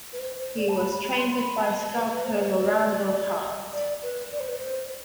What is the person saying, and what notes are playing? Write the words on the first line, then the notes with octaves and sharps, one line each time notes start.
He was trained by sculptor Lorado Taft.
B4
C5
C5
D5
A5
B5
B5
C6
B5
G5
A5
B4
B4
C5
D5
C5
D5
D5
B4
D5
C5
B4
C5